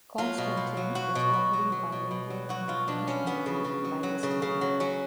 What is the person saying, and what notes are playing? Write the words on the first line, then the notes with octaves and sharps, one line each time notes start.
Constantin was already bilingual in French and Greek by this time.
F#3 F4
B2
B2
F#3
F#3 F#4
B2
B2
F#3
F#3
B2
B2
F#3
F#3 F#4
B2 F4
B2 D4
F#3 C#4
F#3 B3
C#3
C#3
F#3
F#3
C#3
C#3
F#3
F#3 C#4